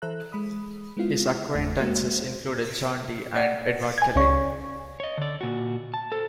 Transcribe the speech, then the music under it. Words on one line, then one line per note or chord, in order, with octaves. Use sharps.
His acquaintances included John Dee and Edward Kelley.
E3 A4 C5 E5 A#5 F#6
G#3 B5 D#6
G#3 B3 C4 E4 F4 F5
G1 E2 A3 D4 F#5
G#3 A#3 F#4 C5
D5 F#5
G#5 G#6
C#2 C#5 D5 F5 C#6
C#5 D#5
D3 D5
A#2 F#4
A5
A4 C5